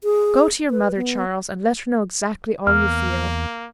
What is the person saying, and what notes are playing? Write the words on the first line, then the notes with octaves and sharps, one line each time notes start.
Go to your mother, Charles, and let her know exactly all you feel.
G#4
B4
B3
E2 A#3 F6